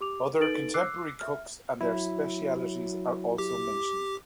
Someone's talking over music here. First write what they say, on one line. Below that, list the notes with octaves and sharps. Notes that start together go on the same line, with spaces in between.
Other contemporary cooks and their specialties are also mentioned.
G4 D6 F7
D#4 A4 B4 A6 D7 F#7
D6 E6 F#6 C7
E5 F6
F#3 E4
G4 D6